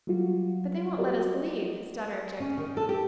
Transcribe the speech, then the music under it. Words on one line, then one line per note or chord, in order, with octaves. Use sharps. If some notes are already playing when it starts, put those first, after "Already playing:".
"But they won't let us leave," his daughter objected.
F#3 G3 F4 F#4
F#4 G4 A#4 D5 D#5
C#4
D#3
A4
G4